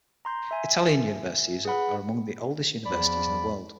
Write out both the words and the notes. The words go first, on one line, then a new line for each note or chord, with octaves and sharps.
Italian universities are among the oldest universities in the world.
A#5 C6 G6
E5 G#5
G#4 B4 F#5 B5
E2 F3 D5 B5